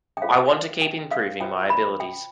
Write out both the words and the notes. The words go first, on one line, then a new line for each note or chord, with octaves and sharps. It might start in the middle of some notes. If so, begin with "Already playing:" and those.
I want to keep improving my abilities.
G5
F4 A4 C5 F5
G5
F5
F4 C5 G5
B5
G5